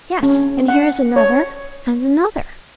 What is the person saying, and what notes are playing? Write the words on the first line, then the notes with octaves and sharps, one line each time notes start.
Yes--and here is another, and another.
C#4
F#5
C#5